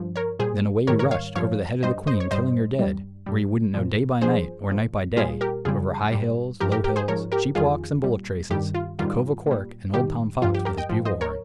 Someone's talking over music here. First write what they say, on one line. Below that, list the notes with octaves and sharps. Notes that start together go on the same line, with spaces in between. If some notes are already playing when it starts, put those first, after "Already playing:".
Then away he rushed, over the head of the queen, killing her dead, where you wouldn't know day by night or night by day, over high hills, low hills, sheep walks and bullock traces, the Cove o' Cork, and old Tom Fox with his bugle horn.
Already playing: G2 F3
A#4 C#5
A#2 G3 G#4 C5
G#2 D#3 G3 A#4 C#5
A#4 C#5
C#5 F5
G2 F3 C#5 F5
G2 G3 C5 D#5
C5 D#5
C#5
G2 G3 C5 D#5
G2 G3
G2 G3
A#2 F3
G2 F3 G#4 C5
A#2 F3
A#2 G3 F4 G#4
G4 A#4
F2 C#3 G3 F4 G#4
G#2 G3
G2 F3 G4 A#4
G4 A#4
G4 A#4
G#4 C5
G#2 F3 A#4 C#5
G4 A#4
F2 D#3 G3 F4 G#4
A#2 G3
G2 D#3 G3 G4
F4
G#2 D#3 G3 F4
A#2 G3
G#2 D#3 G3 G4
G2 F3 F4
G4
G4 A#4
D#5 G5
G#2 F3
C5 D#5
A#4 C#5